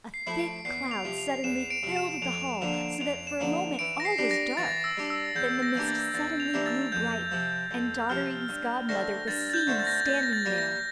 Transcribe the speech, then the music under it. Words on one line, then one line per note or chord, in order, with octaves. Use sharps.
A thick cloud suddenly filled the hall, so that for a moment all was dark. Then the mist suddenly grew bright, and Dotterine's godmother was seen standing there.
C7
F3 A3 E4
D7
E2 C7
F7
C3 F3
F7
E2 E7
D7
C3 F3
E7
F2 F7
D3 F3 A#3 F7
F2 F7
E7
D3 F3 A#3
E3 D7
A#6
C7
G3 D4 G4
A#6
E3 A6
E6
G3 D4 G4
E6
E2 G6
A#6
E3 A#3 D4 G4
A6
E2 A6
F7
E3 A#3 D4 G4
A6
F2 G6
C3 F3
F2
C3 F3 F6
G2
D3 A3 C4 A#6
G2 A6
A6
G6
D3 A3 C4
A6
A#6
A6
A#2 A6
A#6
A6
G3 A#3
A#6